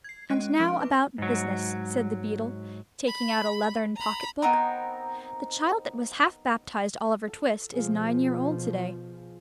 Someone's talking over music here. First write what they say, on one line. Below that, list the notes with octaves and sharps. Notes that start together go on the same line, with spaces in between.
'And now about business,' said the beadle, taking out a leathern pocket-book. 'The child that was half-baptized Oliver Twist, is nine year old to-day.'
G#6 C7
G#3 C#4 D#5 F#6 D#7
F3 C#4 C#6 F6 D7
B4 D6
G#2 F#3
B5
A#5 B5
B3 C4 D#4 A#4
A4
B2 F3 F4 G#4